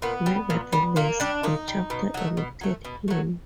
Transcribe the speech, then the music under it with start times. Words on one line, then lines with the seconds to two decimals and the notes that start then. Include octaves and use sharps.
Nevertheless, the Chapter elected him.
0.02 A#2 B3
0.26 G3
0.50 A#2
0.73 G3
0.96 A#2 A#3
1.20 G3 D4
1.43 A#2 D#4
1.68 G3
1.90 B2
2.14 F#3 A3
2.37 B2
2.61 F#3 A3
2.85 B2
3.08 F#3 A3